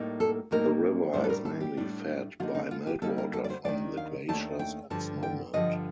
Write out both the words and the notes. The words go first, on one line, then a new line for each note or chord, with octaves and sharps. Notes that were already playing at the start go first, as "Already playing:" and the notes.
The river is mainly fed by meltwater from the glaciers and snowmelt.
Already playing: A2 G3 A#3 D#4
A4
A2 G3 A#3 D#4 A#4
A2 G3 D4 C5
A4
A#4
A4
G4
A2 G3 D4
D3 G3 A#3 D#4 F4
D#4
F4
G4
D3 G3 A#3 D#4 A4
A#4
A4
D5
C5
D#2 D#3 A3 D4 D5
F5
D#2 D#3 A3 D4 A5
G5
G2 D3 F3 A5
G5
G2 D3 F3 D#5